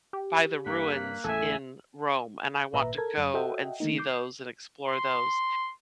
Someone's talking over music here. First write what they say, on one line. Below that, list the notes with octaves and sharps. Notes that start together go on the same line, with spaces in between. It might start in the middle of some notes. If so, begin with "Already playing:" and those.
by the ruins in Rome, and I want to go and see those and explore those.
G4
G2 A#3 F#6 B6
A1 E2 A4 E5 G#5
G#1 A#2 B4 E5 A#5
A4 A#4 G#6
F#2
F#4 A4 D#5 E5 F#5 G5
D#3 A3 A#3 D#4
D6 G6 C7
C6